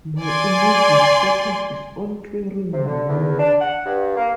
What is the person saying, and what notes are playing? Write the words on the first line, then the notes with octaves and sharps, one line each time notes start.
My immediate focus is on clearing my name.
D5 G#5 C6
C3
D3
E2
D4
F#5
G2
A#3